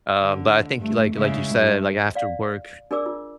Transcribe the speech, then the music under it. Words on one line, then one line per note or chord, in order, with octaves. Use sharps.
um, but I think like like you said, like after work,
D3
G2 A3
C#3 G#3 E4
G2
D5 F5
D4 G#4 A#4 D5 D6 E6
F4